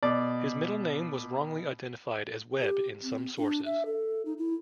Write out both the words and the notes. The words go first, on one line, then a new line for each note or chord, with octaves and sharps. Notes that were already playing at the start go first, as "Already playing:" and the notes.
His middle name was wrongly identified as Webb in some sources.
B2 D5
G4
C4
D4
E5
A4
D#4
E4